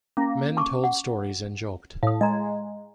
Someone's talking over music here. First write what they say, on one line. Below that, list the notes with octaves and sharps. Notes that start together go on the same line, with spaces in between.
Men told stories and joked.
A#3 C#4
A5 C#6 D6
F#5
A2 F5 D#6
G#3 D#5 A#5